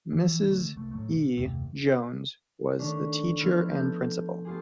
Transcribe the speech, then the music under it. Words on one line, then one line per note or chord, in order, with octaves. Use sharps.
Mrs. E. Jones was the teacher and principal.
E3 F3
D3 G#3 A3
C2 A3
A2 F#3 A3
B1
F#1 D#2 C3 A3
D#3 A3 C#4 D4
F3 B3 E4 B5 E6 F6
A4 G6
A3 B3 F4 G4 G#4